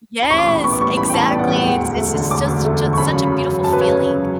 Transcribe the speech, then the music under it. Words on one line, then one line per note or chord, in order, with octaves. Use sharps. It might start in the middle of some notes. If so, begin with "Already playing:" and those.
Yes! Exactly, it's it's it's just such a such a beautiful feeling.
B5
A1 C#6
D6
A2 C#6
B5
B3 C#6
D6
G3 C#6
A1 B5
G5
A2 A5
B3 D5
F#5
G3 G5
F#5
E1
D2
A3
D3
E1 D6
D2
A3
D3
C#6
F#2 B5
C#3
F#2
F#3
F#2 A5
B4
C#3 C#5
F#2
F#3